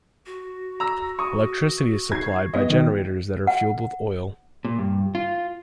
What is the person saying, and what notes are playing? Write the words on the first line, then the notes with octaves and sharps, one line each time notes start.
Electricity is supplied by generators that are fueled with oil.
F#4
A#5 E6
C#6 D#6
G#6 C7
B3 D#5
D#3
F#5
A#2
G2
F4